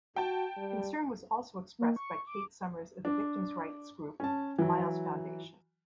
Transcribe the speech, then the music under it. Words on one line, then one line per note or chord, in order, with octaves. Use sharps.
Concern was also expressed by Kate Summers of the victims rights group Miles Foundation.
F#4 G5 A5
G3
A#3
C#6
D6
D4
C#4 A5
E3 F#3